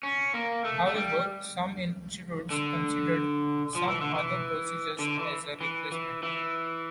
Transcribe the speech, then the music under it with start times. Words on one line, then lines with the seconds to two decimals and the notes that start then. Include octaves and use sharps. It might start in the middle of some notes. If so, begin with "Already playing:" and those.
However, some institutes considered some other procedures as a replacement.
0.03 C#4
0.34 A#3
0.64 A3
0.86 A3
0.96 G3
2.51 D3
3.75 F3
3.88 E3
4.01 D3
4.14 E3
4.99 D3
5.19 E3
5.61 E3
5.92 E3
6.23 E3